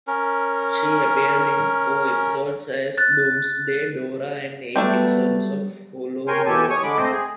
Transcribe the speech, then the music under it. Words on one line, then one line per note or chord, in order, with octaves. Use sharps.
She appeared in four episodes as DoomsDay Dora and eight episodes as HoloDora.
C#4 A#4
F#6 A6
F#3 G3 A3 B3 D4 G5
A#4 C#5 G5 G#5 C6
E2 B2 G4 A4 G#5
C#5 C#6 D#6
D3 G#3 B5 D6
A3 C4 C5 D#5
G#4